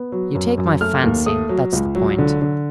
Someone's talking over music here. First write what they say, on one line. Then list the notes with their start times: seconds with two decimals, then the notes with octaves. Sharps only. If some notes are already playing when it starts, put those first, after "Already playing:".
You take my fancy; that's the point!
Already playing: B3
0.12 F#3
0.35 F#2
0.58 F#2
0.81 A3 F6
1.04 D#2
1.26 A3 D#6
1.49 F#3
1.73 C#2
1.95 F#3
2.18 D3
2.42 D3